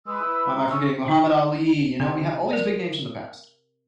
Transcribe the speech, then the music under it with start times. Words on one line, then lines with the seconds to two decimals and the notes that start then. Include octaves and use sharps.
Why am I forgetting Muhammad Ali! You know, we have all these big names from the past.
0.07 G#3 B4 E6
0.21 E4
0.55 G#3 A#5
0.70 C#4 C#6 E6
1.08 D#4
2.00 C3 C4
2.51 A#4 D5